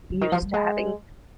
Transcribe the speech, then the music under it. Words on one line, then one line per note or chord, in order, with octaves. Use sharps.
used to having
D3
D#3
F3
G3
G#3